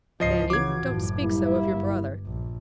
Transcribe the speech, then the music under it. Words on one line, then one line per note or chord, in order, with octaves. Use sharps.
'Fanny, don't speak so of your brother.
C#2 G#2 F3 D#5 C7
C#3 E3 F3 F#4 D6 G#6
F#1 A2
G3 A#3 E4
G1
A#1